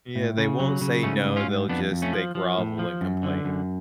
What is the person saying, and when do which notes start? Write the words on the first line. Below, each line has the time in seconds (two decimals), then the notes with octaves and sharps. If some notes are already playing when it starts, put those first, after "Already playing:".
Yeah, they won't say no, they'll just they grovel and complain.
0.16 A2
0.38 C#3
0.59 F#3
0.81 C#3
1.03 G#2 A3 C#4
1.25 G#2
1.36 C#4 F4
1.48 G#2
1.69 F2 B3 D4
1.91 F2
2.02 A3 C#4
2.13 F3
2.35 F3
2.58 A2
2.79 F3
3.01 F#2
3.23 D3
3.45 F#2